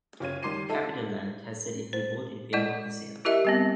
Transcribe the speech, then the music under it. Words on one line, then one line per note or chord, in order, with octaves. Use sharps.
CapitaLand has said it will vote in favor of the sale.
F#1 F4 C#5 G#6 D#7
D#3 G3 C6 D6 C7 D#7
A3 D#4 F4 A4 E5 A5
C5
G#3 E4 D5 D#5
E4 G4 A#4 D#5 E5
G3 B3 C4